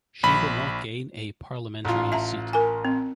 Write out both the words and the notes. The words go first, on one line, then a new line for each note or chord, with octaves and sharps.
She did not gain a parliamentary seat.
A#1 B5
A1 F4
E5 A5 A#5
A#4 G#5
C4